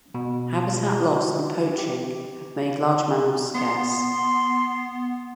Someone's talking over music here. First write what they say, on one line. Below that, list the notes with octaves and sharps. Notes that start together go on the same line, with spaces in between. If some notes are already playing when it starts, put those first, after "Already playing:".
Habitat loss and poaching have made large mammals scarce.
B2
F#4
G4
B3 C6